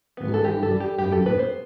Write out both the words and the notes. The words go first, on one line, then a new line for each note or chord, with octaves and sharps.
Mm, mhm.
B3
A4
E3 G4
A4
G3
G4
G3 G4
A4
B3 B4
C5